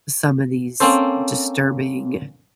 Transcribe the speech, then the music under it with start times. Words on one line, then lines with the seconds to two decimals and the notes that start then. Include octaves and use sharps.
some of these disturbing,
0.80 A#3 C4 C#4 A4 C5